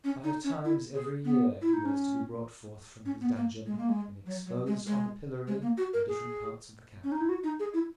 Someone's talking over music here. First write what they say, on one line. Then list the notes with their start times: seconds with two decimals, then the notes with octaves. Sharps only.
Five times every year he was to be brought forth from his dungeon and exposed on the pillory in different parts of the capital.
0.04 C#4
0.24 D#4
0.44 C#4
0.65 E4
0.94 G#4
1.25 B3
1.62 E4
1.73 D#4
1.85 C#4
3.06 C#4
3.21 B3
3.36 A#3
3.66 G#3
3.78 A#3
3.89 G#3
4.26 F#3
4.46 F#3
4.67 G#3
4.87 G#3
5.47 G#3
5.62 A#3
5.78 F#4
5.93 A#4
6.08 G#4
7.04 C#4
7.12 D#4
7.21 E4
7.29 F#4
7.44 D#4
7.60 G#4
7.74 E4